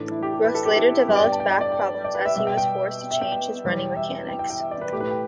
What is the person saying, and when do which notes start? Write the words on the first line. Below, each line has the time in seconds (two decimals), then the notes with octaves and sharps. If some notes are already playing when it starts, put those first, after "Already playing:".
Brooks later developed back problems as he was forced to change his running mechanics.
Already playing: A2 E3 A3 D4
0.11 E4
0.23 G4
0.33 G4
0.44 B4
0.55 A4
0.65 G4
0.76 E4
1.08 G2 G3 B3 G4
1.16 D5
1.24 G5
1.32 A5
1.40 G5
1.50 D5
1.61 D5
1.72 G5
2.04 D5
2.15 B4
2.25 E5
2.36 B2 G3 B3 E5
2.47 G5
2.57 G5
3.11 E5
3.21 G5
3.32 G5
3.64 E2 B2 G3
3.97 E5
4.28 G5
4.39 G5
4.50 G5
4.60 E5
4.71 D5
4.81 B4
4.93 A2 A3 G4
5.00 B4
5.11 G5